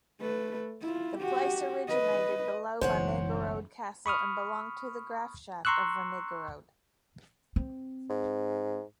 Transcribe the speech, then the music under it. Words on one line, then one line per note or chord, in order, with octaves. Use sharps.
The place originated below Wernigerode Castle and belonged to the "Grafschaft" of Wernigerode.
A3 B4
E4 F4
F#4 G4
B4 D#5
F#1 B1 F#2 E3 G#3 C5 C#5 F#5
B5 C#6 D#6 F6
A#5 C6 C#6 E6 F#6
C4
G#2